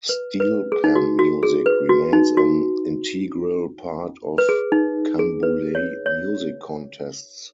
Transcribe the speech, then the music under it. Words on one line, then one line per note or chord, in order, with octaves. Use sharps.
Steel pan music remains an integral part of Canboulay music contests.
B4
B4
G#4
D#4
F#4
F#4
G#4
B4
F#4
D#4
F#4
B4
G#4
D#4
G#4
B4
C#5
C#5